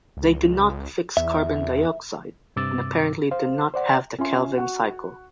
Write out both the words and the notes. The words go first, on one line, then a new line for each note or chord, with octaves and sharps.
They do not fix carbon dioxide and apparently do not have the Calvin cycle.
C#2
E2 E5
G2 C3 D6 E6 A6
C5 F5
C5 D5 F#5
C#4 F4 E5 C6
F#4 F#5 C#6